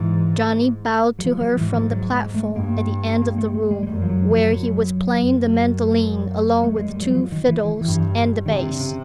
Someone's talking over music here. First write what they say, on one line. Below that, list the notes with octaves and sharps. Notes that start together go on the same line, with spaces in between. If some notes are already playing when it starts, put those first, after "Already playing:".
Johnny bowed to her from the platform at the end of the room, where he was playing the mandolin along with two fiddles and the bass.
Already playing: G#2 E3
F#3
F3
F#3
G#2 E3
F3
F#3
G#3
A3
G2 A#3
A#3
A3
A3
G#3
G#3
F#2 G3
F3
F#3
F3
F#3
F#2
A3
G#3
G3
F#3
F3
D#3
E3
E3
G2 E3
C3 D#3
D3
C#3